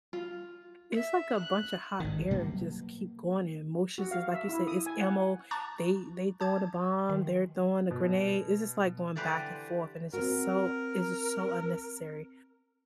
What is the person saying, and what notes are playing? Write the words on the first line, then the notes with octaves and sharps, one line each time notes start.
it's like a bunch a hot air, just keep going, and emotions is like you say, "It's ammo," they they throwing a bomb, they're throwing a grenade, it's just, like, going back and forth, and it's just so it's just so unnecessary.
F4
E5
F#6
G#1 D#3
B2 F#3 G3 A#3
F#4
F5
E5
E4
D#6
G#5
F#5
A5 A#5 C#6 D6 F#6 A6
A5 D6 G6 G#6
D#3
B2
D3 E3 G4 B4 C5 D5
C4 F#4 A#4